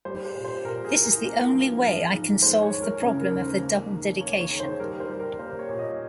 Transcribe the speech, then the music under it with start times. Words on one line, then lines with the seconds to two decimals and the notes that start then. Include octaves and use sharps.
This is the only way I can solve the problem of the double dedication.
0.05 G3 C5
0.25 C5
0.35 A#2
0.45 C5
0.65 A#2 A#4
0.85 G#4
0.94 C2
1.04 A#4
1.24 A#3
1.53 F3
1.83 F3
2.13 G#2
2.42 G#3 C5
2.63 C#5
2.72 D#2
2.82 A#4
3.02 C#3 A#4
3.22 A#4
3.31 D#2
3.41 C5
3.62 A#3
3.91 D#2
4.20 A#3 C#5
4.41 C#5
4.50 D#3
4.60 C5
4.80 G3 A#4
5.00 C5
5.09 G3
5.20 A#4
5.39 A#3 C5
5.59 C#5
5.69 A#2
5.79 D#5